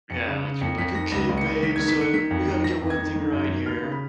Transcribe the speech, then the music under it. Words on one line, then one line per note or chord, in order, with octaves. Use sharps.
Yeah, like, you'll be like, "Okay, babe, so we gotta get one thing right here."
F2 C#7
C#3
C#3
F2 C#7
F2 B6
D#3 A#6
C#2 A#6
C#2
C#7
C#2
D#3 B6
D#3 G#6
B6
D#3 C#7
D#3 B6
F2
D#3
D#3 A#6
F2
G#6
D#3
D#3
F#2
D#3
D#2 F6
C#3
B5